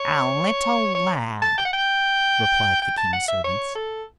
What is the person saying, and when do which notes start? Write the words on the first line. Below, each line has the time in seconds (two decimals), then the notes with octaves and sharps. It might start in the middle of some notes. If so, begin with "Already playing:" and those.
"A little lad," replied the king's servants.
Already playing: C#5
0.95 C#5
1.42 A5
1.58 G5
1.65 F#5
1.73 G5
2.82 G5
2.97 A5
3.13 F#5
3.28 E5
3.44 C#5
3.75 A4